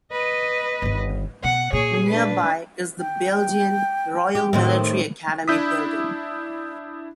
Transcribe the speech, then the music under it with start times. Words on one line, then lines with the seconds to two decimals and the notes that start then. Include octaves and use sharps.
Nearby is the Belgian Royal Military Academy building.
0.12 B4 D#5
0.82 G1 D#3
1.44 B2 F#5
1.73 A#2 G#4 C#5
2.06 D4 B4
3.00 G5
4.35 G4
4.53 A2 D#3 C4
5.48 D4 E4 D#6 E6 G6 B6